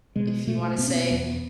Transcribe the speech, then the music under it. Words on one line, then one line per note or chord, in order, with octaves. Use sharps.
if you want to say.
B2 G#3
B2 A3
B2 B3
C#4
B3
E2 B3